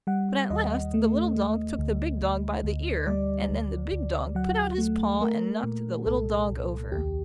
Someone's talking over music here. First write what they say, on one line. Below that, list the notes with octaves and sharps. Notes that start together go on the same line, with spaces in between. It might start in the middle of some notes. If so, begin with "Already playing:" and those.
But at last the little dog took the big dog by the ear, and then the big dog put out his paw and knocked the little dog over.
G3 F#5
D#2 D#5
A3
A3
D2
D2
D2
G3 D5
D2
D2
F#3 F#5
A3
A3 A#4
A#2
C2 A4
C2
D#2 G4